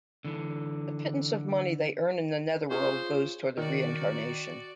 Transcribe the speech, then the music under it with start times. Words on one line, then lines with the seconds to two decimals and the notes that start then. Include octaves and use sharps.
The pittance of money they earn in the Netherworld goes towards their reincarnation.
0.25 D3 E3
2.71 C#4 F4 G#4 C5
3.57 D#3 F#4 D5